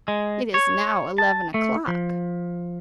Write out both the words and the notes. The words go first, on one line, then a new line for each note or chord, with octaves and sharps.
It is now eleven o'clock.
G#3
C#5
A5
A3
F3